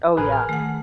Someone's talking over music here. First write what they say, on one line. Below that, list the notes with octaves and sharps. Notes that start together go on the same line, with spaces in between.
Oh, yeah.
A1 G#4 A#4 B4 G#5
F6
D#3 A3 F#5